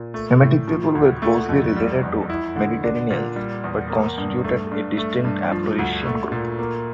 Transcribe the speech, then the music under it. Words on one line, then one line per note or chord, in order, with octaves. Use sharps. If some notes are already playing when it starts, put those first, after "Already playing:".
Semitic people were closely related to Mediterraneans but constituted a distinct "Afroasian" group.
Already playing: A#2
A3
A2
F3
D2
A3
F2
G3
E2
E4
D3
D4
A#2
G3
E2
A#3
G2
A3
G2
A3
G2
F3
D2
A3
A#2
A#3